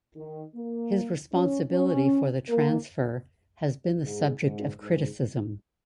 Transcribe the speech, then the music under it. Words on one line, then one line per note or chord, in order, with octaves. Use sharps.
His responsibility for the transfer has been the subject of criticism.
D#3
A#3
C#4
C#4
A#3
G#2
G#2
G#2